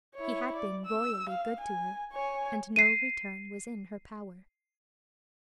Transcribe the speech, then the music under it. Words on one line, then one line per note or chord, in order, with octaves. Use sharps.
He had been royally good to her, and no return was in her power.
E4 C#5
D5
E6
F5
G#5
C#5 G#5
C7 D#7